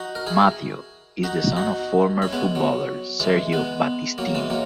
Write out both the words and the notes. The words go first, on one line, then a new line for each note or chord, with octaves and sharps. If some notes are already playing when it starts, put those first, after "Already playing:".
Matteo is the son of former footballer Sergio Battistini.
Already playing: D#4 F#4
A#4
E4 G#4
D#4 F#4
D#4 F#4
C#4 E4
G#3 B3
F#3
E3 G#3
G#3 B3
F#3 A#3
E3 G#3
F#3 A#3